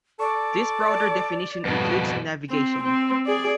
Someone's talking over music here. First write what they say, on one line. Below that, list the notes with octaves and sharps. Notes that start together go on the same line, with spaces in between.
This broader definition includes navigation.
A4 D5 C#6
F2 G#2 B2 G3 C4 B4
C4
C4
G#4 D5